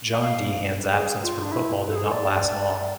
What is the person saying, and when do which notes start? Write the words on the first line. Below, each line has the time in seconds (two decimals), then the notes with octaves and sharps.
John Deehan's absence from football did not last long.
0.19 F5
0.93 G#4
1.23 F4
1.43 D4
1.52 E4
1.82 B4
1.88 A4
1.96 G#4
2.04 A4
2.11 D5